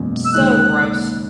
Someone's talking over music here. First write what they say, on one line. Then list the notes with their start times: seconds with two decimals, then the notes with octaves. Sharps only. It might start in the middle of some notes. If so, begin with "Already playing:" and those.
So gross.
Already playing: F#1 E2 B2 G#3 C#4
0.25 E6
0.33 D#2 C#3 G#3 D#4 F#6